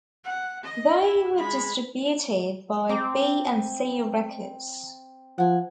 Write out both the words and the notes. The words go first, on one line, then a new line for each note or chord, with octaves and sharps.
They were distributed by B and C Records.
F#5
D#5
E4
G#3 B5
C4 A#5 D6
F3 F#5 G#5